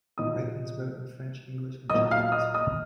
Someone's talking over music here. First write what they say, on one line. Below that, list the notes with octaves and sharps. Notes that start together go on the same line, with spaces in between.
Ryckmans wrote in French, English and Chinese.
A#2 F3 D#5 D#6
A#2 F#3 D#5 D#6
F5 F6
D#5 D#6
D#5 D#6